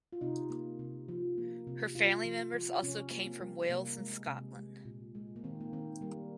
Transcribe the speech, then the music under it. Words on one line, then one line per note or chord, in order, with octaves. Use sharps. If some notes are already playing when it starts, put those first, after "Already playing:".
Her family members also came from Wales and Scotland.
F4
C3 D#4
A#3
C3
F3
A#3
C3
C3 F4
F3
F3
C3 C#4
A#3
C4
G3
C3 A#3
G#3
C3
G#3
A#2
G#3
A#3
D#3 C4
A#3
D#3 C4
G3 A#3